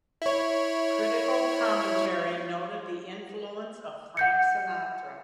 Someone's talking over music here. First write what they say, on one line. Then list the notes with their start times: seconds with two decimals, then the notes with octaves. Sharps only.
Critical commentary noted the influence of Frank Sinatra.
0.22 E4 C#5
4.17 F#5 G6 C#7